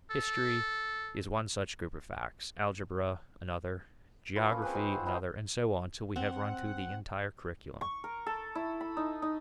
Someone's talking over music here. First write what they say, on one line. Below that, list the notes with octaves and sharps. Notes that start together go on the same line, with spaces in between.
History is one such group of facts; algebra another; geography another, and so on till we have run through the entire curriculum.
A4
F4 A4 B4
A#3 C#4
C4 G#4 B4
B3 C4 D#4 F#4
F4
F3 B3 D#4 C6
C4 F#5
C#6
A#4
A4
E4
B5
D#4
D#4